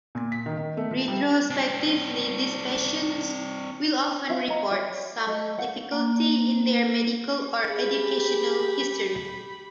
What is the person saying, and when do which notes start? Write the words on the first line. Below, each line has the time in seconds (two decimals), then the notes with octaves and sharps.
Retrospectively, these patients will often report some difficulty in their medical or educational history.
0.15 A#2
0.32 B6
0.46 D#3
0.57 D#3
0.77 A3
0.91 F3
1.08 G3
1.50 C4 D4
4.29 F4 E5 F5
4.50 D#5 A#5
4.71 F#4 C#5 D5 E5
5.26 A4 D#5
5.58 F5 F#5
5.92 A#3
7.66 G4 G#4 B5